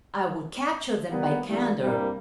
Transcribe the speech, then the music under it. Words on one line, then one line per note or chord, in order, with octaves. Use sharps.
I will capture them by candour.
D#3 G3 A#3 B3
E2 G2
C2 G2 G3 A#3